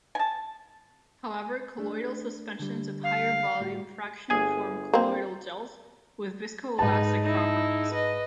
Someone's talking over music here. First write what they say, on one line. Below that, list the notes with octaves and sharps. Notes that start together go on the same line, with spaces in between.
However, colloidal suspensions of higher-volume fraction form colloidal gels with viscoelastic properties.
G#5 A5
A3 D4
D3 G3
F5
A2 F#4
G1 G#4 G#5
A#3 C4
G#2 D#4 B4 A5
D#4 E4
B4 D#5